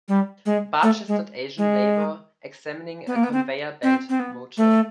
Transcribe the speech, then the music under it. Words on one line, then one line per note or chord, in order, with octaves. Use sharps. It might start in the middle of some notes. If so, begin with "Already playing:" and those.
Barechested Asian laborer examining a conveyor belt motor.
G3
G#3
A3
G#3
G#3
B3
A#3
B3
C4
C4
C4
B3
A3